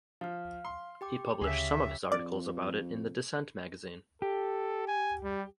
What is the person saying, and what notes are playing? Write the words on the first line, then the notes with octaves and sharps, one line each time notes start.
He published some of his articles about it in the Dissent Magazine.
F3 F5 F6
C6
G4 G5 D6
D2 C#3 G#4 E5 E6
F2 D5
G4 A4
G#5
G3